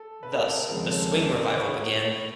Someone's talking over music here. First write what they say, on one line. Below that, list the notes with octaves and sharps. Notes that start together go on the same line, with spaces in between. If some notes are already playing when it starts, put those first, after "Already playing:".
Thus, the swing revival began.
Already playing: A4
B4
A#4
A4
A#4
D#2 C#3 F3 G#3 C4 A#4
A4
A#4
A#4 C5
B4 C#5